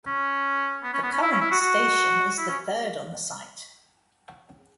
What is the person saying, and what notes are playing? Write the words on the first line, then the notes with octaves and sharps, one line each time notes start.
The current station is the third on the site.
C#4
B3
C#4
B3
C#4
E4
C#4
E4
F#4
F#4
E4
C#4